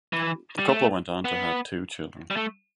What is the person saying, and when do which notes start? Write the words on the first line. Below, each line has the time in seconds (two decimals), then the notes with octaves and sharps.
The couple went on to have two children.
0.13 E3
0.59 G3
0.69 A3
1.25 B3
2.31 G3
2.36 A3